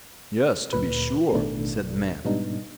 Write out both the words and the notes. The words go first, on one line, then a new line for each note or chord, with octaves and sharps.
'Yes, to be sure', said the man.
D2 A#2 B4
A1 B2 D#3 A3 D4
G#2 B2 G3 B3 D4 D#4